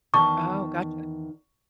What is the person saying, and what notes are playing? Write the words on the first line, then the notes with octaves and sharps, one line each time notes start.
Oh, gotcha.
E2 D#3 A5 C#6